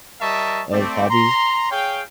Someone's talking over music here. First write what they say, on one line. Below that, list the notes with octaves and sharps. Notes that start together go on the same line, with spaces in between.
of hobbies.
G3 A#4 D#5 E5 A5 C#6
A3 C4 D5
A#5 C6
G#4 C#5 F5 G5